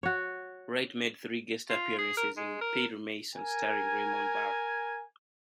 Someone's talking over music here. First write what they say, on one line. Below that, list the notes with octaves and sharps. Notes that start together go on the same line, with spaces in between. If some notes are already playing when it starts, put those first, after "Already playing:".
Wright made three guest appearances in "Perry Mason", starring Raymond Burr.
F#4 C#5
F4
G#4
A#4
G#3
A#4
A#4 G#5